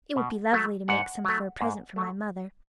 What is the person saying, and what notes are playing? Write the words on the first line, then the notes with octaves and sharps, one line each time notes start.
"It would be lovely to make some for a present for my mother."
B2
F#3 A3
G#2 F#5
F#3 A3
G#2
F#3 A3